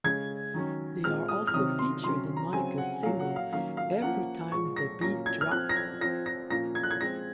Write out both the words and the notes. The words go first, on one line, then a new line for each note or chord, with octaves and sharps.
They are also featured in Monica's single "Everytime tha Beat Drop".
C#3 G#3 C#4 G#6
D#3 F#3 C#4
A#2 G#3 C4 F6
D#6
F6
C3 D#3 F#3 C4 D#6
C6
C3 F#3 C#4 C6
A#5
C#3 F#3 C4 G#5
F#5
A#2 F#3 A#3 C#4 F5
F#5
F5
D#3 F#3 A#3 C#4 F5
F5
F3 A#3 C#4 F#5
A#2 F3 G#3 C#6
A#6
A#2 F#3 A#3 C#4 A#6
G#6
F6
F3 C4 F#6
A#6
G#6
F3 C4 A#6
A#6
A#2 F3 A#3 C#4 A#6
G#6
F#6
G#6
F3 G#3 C4 A#6